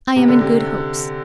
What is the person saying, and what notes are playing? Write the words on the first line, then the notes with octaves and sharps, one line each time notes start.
'I am in good hopes.
C3
D3
C3